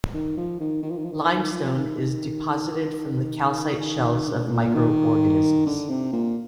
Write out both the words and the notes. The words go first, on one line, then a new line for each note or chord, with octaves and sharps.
Limestone is deposited from the calcite shells of microorganisms.
D#3
F3
D#3
D#3
F3
D#3
F3
D#3
D#3
F3
D#3
D#3
D#3
D3
A2
A#2
D#3
D3
C3
A#2